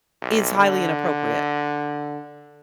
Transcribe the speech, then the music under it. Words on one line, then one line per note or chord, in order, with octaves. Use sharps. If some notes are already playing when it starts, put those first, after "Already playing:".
is highly inappropriate.
B1
D3